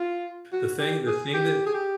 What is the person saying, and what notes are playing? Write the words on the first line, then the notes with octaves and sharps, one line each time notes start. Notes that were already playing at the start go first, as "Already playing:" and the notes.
The thing the thing that
Already playing: F4
F#4
G4
G#4
G4
G#4
G4